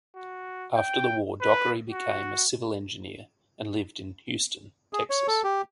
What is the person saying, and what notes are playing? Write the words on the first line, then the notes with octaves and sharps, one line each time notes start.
After the war, Dockery became a civil engineer and lived in Houston, Texas.
F#4
G5
B4
F#4
G#4
C#5
A4
G4